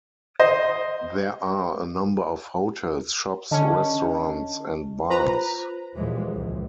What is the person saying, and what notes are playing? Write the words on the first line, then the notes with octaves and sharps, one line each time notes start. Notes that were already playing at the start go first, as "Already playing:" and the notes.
There are a number of hotels, shops, restaurants, and bars.
C5 D#5
D3 C#4 D#5 A5
F4 B4 C5 A#5
D#2 A#2 E3 F3 G#3
C#2 F#2